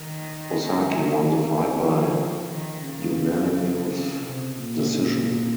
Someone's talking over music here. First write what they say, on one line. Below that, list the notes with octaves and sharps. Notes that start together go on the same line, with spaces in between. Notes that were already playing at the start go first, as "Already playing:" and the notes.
Osaki won the fight by unanimous decision.
Already playing: D#3
F3
D#3
C#3
C#3
C3
A#2